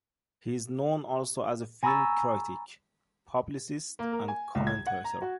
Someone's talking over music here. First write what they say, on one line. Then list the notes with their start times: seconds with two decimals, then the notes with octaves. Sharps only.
He is known also as a film critic, publicist and commentator.
1.83 G#5 A#5 B5 C#6 E6 A6
3.99 A#3
4.13 A#4
4.28 G#5
4.55 C#2
4.67 G#6
4.87 F#5
5.04 A#5
5.22 F#4